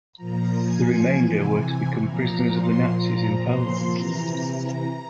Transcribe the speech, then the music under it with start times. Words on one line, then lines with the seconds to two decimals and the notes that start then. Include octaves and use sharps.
The remainder were to become prisoners of the Nazis in Poland.
0.16 A#2 F3 A#5
0.64 G#5
1.10 C3 E3
2.04 A#2 F3 A#5
2.50 C6
2.98 A#2 F3 A#5
3.44 C6
3.91 C3 E3 A#5